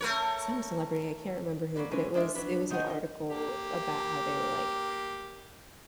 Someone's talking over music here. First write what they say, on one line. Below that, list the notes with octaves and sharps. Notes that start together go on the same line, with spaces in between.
some celebrity, I can't remember who, but, it was it was an article about how they were, like,
A3 A#4 C#5
F#3 A#3 B4 D5
D3 E3 G#3 C#4 B4 G#5
G#3 D4 A4 A#4 E5
F#3 D4 B4
D#3 D#4 F4 F#4 F#5 G#5
A#4 C#5 D#5
A#3 G4